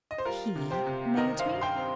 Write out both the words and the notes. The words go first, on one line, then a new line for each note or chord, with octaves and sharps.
"HE made me--?"
D#5
C5
G3 F4 A#4
C3
G4 C5
C3
D#3 A#4 D#5
C5 F5
G2
G5 C6
C4